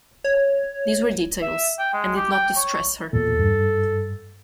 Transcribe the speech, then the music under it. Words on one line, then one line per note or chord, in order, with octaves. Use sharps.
These were details, and did not distress her.
C#5
E5
G5
G#3
G4
G5
C#5
E2 A#2 A4
G2